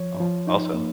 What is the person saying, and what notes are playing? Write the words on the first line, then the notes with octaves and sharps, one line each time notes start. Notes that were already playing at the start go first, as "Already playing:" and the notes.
Oh, also
Already playing: F3 C#5
F3
D#4
A#3